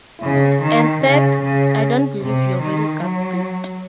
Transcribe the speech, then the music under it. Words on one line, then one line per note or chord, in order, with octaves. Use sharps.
And third, I don't believe you really got bit.
C#3
D#3
C#3
C#3
C3
D#3
F#3